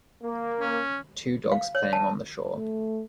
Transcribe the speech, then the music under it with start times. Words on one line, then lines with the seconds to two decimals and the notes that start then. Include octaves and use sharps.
Two dogs playing on the shore.
0.23 A#3
0.60 C#4
1.52 F5
1.75 C#5
1.93 A5
2.54 A3